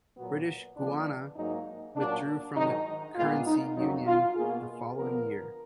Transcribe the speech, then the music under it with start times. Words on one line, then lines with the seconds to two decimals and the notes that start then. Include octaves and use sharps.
British Guiana withdrew from the currency union the following year.
0.17 A#2 F#3 B3
0.77 D3 F3 G#3 B3 D4
1.36 G#2 F#3 A#3 D#4
1.96 A#2 F#3 A#3 D4
2.56 G#2 D#3 F#3 D#4
3.16 A#2 G#3 B3 F4
3.46 D#4
3.76 F2 D#3 F#3 A#3 D#4
4.06 F4
4.36 B2 A#3 G#4
4.96 D3 F3 B3 A#4